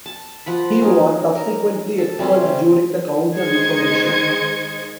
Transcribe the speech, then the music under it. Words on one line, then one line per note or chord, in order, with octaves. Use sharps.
He was subsequently expelled during the Counter-Reformation.
A5
F3 F#5 B5
C#4 D#4
A#4
A4
C3 G3 C4 C#4
D#3 G#3 C5 D#5 G#6 C#7